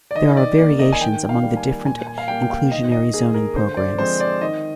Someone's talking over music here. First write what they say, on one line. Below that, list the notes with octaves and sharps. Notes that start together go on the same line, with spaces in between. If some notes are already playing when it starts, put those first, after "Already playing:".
There are variations among different inclusionary zoning programs.
D5
D#3 D#5
D5
A#3 D5
D#5
G#5
D#3 G5
F5
G3 A#3
G#5
A#2 G#5
G#5
F5
G3 A#3 G5
G5
F5
D#3 D#5
D#5
A#3 G#4
A#4
D3 C5
D5
F3 G#3 C4 C5
D5
D#3 D#5